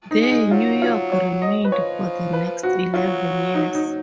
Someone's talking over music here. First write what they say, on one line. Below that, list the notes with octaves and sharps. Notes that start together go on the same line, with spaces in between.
There "New York" remained for the next eleven years.
D#4
G#3
D#4
F#3 F4
F4
C#5
D#5
B4
F3 C#5
B4
F#4
F#3 F4
D#4
D#4